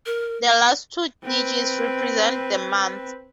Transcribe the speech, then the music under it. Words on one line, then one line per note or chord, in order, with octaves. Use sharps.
The last two digits represent the month.
A#4
C4 B4